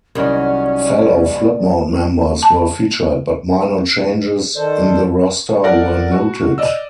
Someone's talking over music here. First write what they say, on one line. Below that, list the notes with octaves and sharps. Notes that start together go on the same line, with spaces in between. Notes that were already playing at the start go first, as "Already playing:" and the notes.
Fellow Flipmode members were featured, but minor changes in the roster were noted.
C2 D#3 F#3 G3 C#4 D5
A5
D#3 A4 C5 D5
A4 A#4 D5 F#5 A#6
F#4
D5 D#5 E6